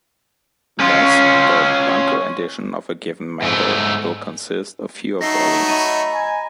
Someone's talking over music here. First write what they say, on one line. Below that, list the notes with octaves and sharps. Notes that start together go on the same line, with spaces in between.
Thus, the "bunko" edition of a given manga will consist of fewer volumes.
C#4 F4
G#2 A3
F#3 A3 D#4 D#5 A#6 C7 G7
D#5 A#5 B5 C#6 A6 D#7
G#5